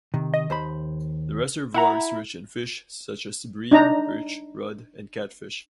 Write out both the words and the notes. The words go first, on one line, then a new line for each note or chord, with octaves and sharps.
The reservoir is rich in fish such as bream, perch, rudd, and catfish.
C3 D#3
D#5
D#2 C5 B5
E4 E5 F#5 A#5
D4 D#4 A#5